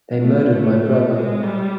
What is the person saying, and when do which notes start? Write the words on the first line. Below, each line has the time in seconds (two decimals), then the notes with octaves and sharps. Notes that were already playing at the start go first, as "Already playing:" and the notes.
They murdered my brother.
0.21 A3
0.51 A3
0.81 A3
1.12 G#3
1.43 G3